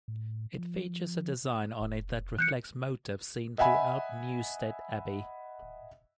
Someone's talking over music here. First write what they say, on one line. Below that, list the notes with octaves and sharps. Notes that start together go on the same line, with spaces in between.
It features a design on it that reflects motifs seen throughout Newstead Abbey.
A2
F3
F1
E3 F#6 G6 C#7
D#5 E5 F#5 G#5 B5